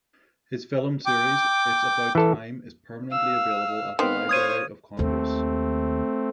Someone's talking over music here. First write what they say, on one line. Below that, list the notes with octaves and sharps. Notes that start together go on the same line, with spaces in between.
His filmed series, "It's About Time," is permanently available at the Library of Congress.
G5 D6
E3 A4
F5 E6
D#3 B3 C4 F5
C5 C#5 D#6 G#6 D#7
D#2 A3 C4